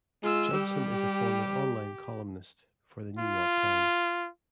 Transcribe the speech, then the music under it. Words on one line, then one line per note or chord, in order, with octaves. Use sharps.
Judson is a former on-line columnist for the "New York Times".
G#3 F4 E6
G3 G4
F4